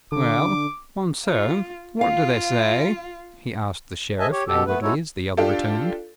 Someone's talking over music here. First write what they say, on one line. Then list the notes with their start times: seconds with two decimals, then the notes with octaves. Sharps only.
"Well, Monceux, what do they say?" he asked the Sheriff, languidly, as the other returned.
0.12 D3 D6
1.25 F4
2.01 F4 F5
4.20 D#5 E5 G#5 A5
4.31 G4 C#5
4.47 B2 G4 A4
4.67 A3 B3 B4
4.82 G#3 D#4 E4 F#4 A4 C#5
5.37 D4 F4 G4 A4